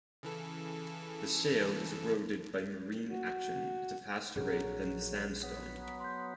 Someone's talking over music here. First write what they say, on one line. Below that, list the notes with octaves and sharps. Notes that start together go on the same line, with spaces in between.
The shale is eroded by marine action at a faster rate than the sandstone.
C#3 E3 A4
F#4
A#1 F#3 G#4
F#3 B3
C6 G6